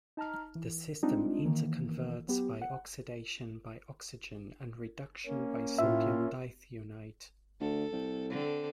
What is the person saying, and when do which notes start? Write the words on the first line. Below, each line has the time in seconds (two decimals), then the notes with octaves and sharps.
The system interconverts by oxidation by oxygen and reduction by sodium dithionite.
0.17 D#4 A5 A#5 F6
0.55 E3
1.03 G3 G#3 C4 D4 D#4 F4
1.45 D#3 E3 A#3
2.28 F#3 B3 G4
2.62 F#5
5.27 A#3 C#4
5.78 A2 F4 E5
7.60 D2 A4
7.92 C2
8.30 D3 C4 A4